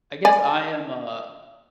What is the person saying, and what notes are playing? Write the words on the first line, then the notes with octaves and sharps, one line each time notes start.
I guess I am a
D5 G#5